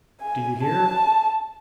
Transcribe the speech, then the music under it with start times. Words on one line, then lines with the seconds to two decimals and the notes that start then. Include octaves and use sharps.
Do you hear?
0.21 G#5
0.63 A5